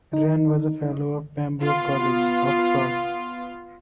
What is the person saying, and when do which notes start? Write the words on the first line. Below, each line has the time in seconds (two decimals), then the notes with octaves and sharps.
Wrenn was a Fellow of Pembroke College, Oxford.
0.13 D#4
1.62 B3 F4